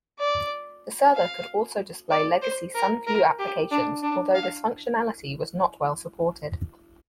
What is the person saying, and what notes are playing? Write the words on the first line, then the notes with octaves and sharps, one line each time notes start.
The server could also display legacy SunView applications, although this functionality was not well-supported.
D5
F5
D5
C5
A#4
A#4
G4
D4
D4
F5